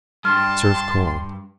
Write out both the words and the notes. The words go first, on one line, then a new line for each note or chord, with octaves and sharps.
Serve cold.
G2 A5 C6 F6